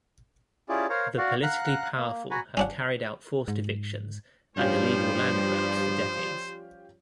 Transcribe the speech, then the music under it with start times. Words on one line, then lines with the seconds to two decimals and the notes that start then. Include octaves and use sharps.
The politically powerful have carried out forced evictions and illegal land grabs for decades.
0.69 C#4 E4 F4 G4 G#4 D5
0.90 A#4 C5 C#5 F5 A#5
1.18 F#4 D5 F5 F#5
1.43 F5 F#5 A#5 F#6
1.97 A#3
2.31 F#4 F#5 G#5 A#5 B5
2.57 C#4 D4 F#5
3.48 G#2
4.57 G2 F3 G3 C#4 F4 G4 C5